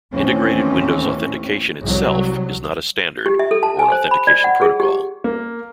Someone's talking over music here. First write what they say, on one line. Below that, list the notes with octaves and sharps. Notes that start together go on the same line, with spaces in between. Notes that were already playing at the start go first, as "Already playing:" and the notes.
Integrated Windows Authentication itself is not a standard or an authentication protocol.
D#2 A2 E3 C4 C#4
C2 F#3
G4
E5
A4
A5
G#5
C5
B5
D5
F#5
G#4
G4
A#3